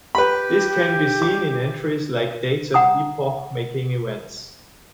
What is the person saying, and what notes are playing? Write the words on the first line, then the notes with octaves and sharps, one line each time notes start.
This can be seen in entries like Dates of Epoch-Making Events.
G4 B4 B5
D6
F#5 A#5 D#6